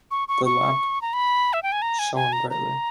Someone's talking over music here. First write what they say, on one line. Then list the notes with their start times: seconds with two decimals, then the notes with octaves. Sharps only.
The lamp shone brightly.
0.11 C#6
0.28 C#6
0.45 C#6
1.02 A#5
1.13 B5
1.53 E5
1.63 G5
1.72 G#5
1.82 A#5
1.99 G#5
2.16 G#5
2.33 A#5
2.50 A#5